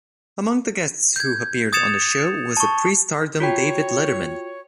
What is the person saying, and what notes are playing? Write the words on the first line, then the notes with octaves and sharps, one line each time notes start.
Among the guests who appeared on the show was a pre-stardom David Letterman.
G6 G#6
D#6 G#6 A6 C#7 E7 F7
A5 C#6
F4 F#4 C#5 G5